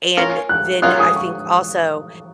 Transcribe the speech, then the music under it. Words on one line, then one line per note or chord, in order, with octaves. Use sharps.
and then, I think also
C#4 F4 A#4
F#6
F#3 A#3 F4 G#4 F#6
D#6
C#6